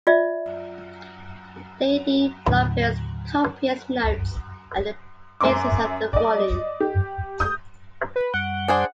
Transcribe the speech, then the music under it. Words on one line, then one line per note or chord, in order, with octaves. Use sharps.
Lady Blomfield's copious notes are the basis of the volume.
F4 D5 E5
D#2 A2 D3 F#3
F#2 E5 A#5 C6 D6
D5 D#5
G4
D#6 G6
B4
F#2 G3 F#5
D4 G#4 C5